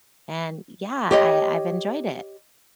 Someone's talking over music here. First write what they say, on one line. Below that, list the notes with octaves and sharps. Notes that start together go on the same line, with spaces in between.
And yeah, I I've enjoyed it.
G4 C#5 D#5